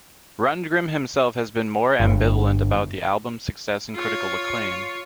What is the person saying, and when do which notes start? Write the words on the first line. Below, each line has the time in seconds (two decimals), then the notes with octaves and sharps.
Rundgren himself has been more ambivalent about the album's success and critical acclaim.
2.00 G1
3.95 F4 C#5